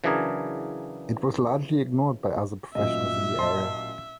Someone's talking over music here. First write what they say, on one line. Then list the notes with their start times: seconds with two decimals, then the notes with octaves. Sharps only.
It was largely ignored by other professionals in the area.
0.04 C#3 E3 F#3 D4 G#4 A#4
2.75 A1 A#2 F#3 D#5 E5
3.39 D#5 A5 C6